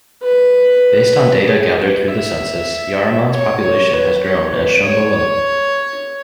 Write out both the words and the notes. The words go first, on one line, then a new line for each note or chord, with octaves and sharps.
Based on data gathered through the census, Yarraman's population has grown as shown below.
B4
G#4
B4
E5
C#5
C#5
B4
C#5
B4
C#5